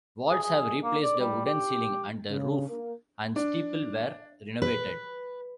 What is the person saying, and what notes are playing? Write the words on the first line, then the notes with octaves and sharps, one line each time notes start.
Vaults have replaced the wooden ceiling and the roof and steeple were renovated.
G#4
G#4
A#3
D5
G3
G4
C#3
A#3
D4
B4